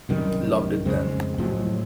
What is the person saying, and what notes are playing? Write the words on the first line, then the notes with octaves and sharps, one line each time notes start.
Loved it then.
C2 F#2 D#3 G3
F2 C#3 G#3 C4
A2 F3 F#3 G#3